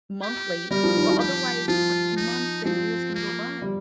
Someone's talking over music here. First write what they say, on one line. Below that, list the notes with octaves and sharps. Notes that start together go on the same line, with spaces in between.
monthly, o otherwise fr months and years can go by.
G4
G3 A#4
F3
D#3
F3
G4
F3 F4
D#4
F3 C4
A#3
G3